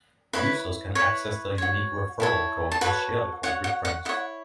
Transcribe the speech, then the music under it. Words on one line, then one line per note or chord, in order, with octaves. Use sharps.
Users can access their unique referral code and share the code with friends.
E4 B4 C#5 B5
E4 B4 C#5 C#6
F#4 C#5
E4 A4 C#5
A5
F#4 A4 B4 C#5 B5
F#4 C#5 F#5
F#5
F#5
E4 C#5 F#5